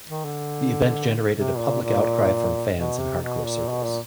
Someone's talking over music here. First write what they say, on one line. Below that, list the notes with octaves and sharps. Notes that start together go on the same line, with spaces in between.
The event generated a public outcry from fans in hardcore circles.
D#3
D3
C3
A#2
A#2
B2
C3
B2
A#2
B2
A#2